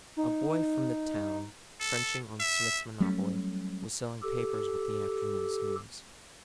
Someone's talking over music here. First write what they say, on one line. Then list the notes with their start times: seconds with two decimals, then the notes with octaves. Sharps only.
A boy from the town, trenching on Smith's monopoly, was selling papers with the afternoon's news.
0.17 D#4
1.81 A4
2.40 E5
3.00 F#3 G3 A3 C#4
4.22 G4 A4